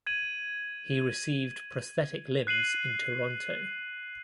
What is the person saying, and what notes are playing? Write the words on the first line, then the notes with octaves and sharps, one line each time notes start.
He received prosthetic limbs in Toronto.
G#6 D#7 F#7
F#6 C7 D#7 F#7